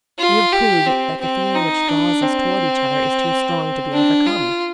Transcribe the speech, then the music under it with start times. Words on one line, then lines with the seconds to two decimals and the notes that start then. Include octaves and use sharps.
We have proved that the feeling which draws us toward each other is too strong to be overcome.
0.19 F4
0.53 G4
0.87 C4
1.21 C4
1.55 D#4
1.88 D4
2.22 C4
3.92 D4
4.26 F4